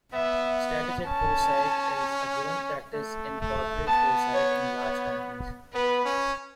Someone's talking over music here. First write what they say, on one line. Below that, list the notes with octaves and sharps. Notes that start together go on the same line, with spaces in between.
Strategic foresight is a growing practice in corporate foresight in large companies.
B3 E5
C#4 A5
A3
A3
B3 A5
C#5
C#5
B3 B4
C#4